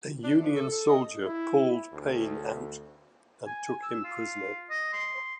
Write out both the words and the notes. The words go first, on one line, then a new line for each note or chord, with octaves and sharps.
A Union soldier pulled Payne out and took him prisoner.
D4
F3
A4
A4
D#5
E4
D2
G#5
E6
F4
D#5
C6